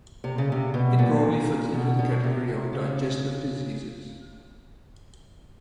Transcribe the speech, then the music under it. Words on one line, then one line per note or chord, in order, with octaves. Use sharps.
It broadly fits into the category of digestive diseases.
C3
C#3
C3
B2
A#2
B2
B2
C3
C3
C#3